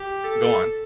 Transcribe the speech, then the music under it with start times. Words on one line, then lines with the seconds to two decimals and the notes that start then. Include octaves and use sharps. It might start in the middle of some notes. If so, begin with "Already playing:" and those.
go on.
Already playing: G4
0.24 A4